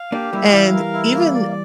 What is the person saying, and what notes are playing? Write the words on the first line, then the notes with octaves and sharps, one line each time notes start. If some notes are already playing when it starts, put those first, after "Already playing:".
and even
Already playing: F5
A#3 D4 G4
G3 A#3 E4
E3 G3 F5
A#4
E4
A#3
D5